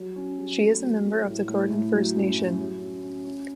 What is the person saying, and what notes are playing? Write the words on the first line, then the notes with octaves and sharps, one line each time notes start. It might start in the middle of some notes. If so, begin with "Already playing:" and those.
She is a member of the Gordon First Nation.
Already playing: F#3
C#4
F#3
A3
F#3
A3
A2
A2
A2
F#3
F#2
F#2
F#3
C#4
C#4
C#4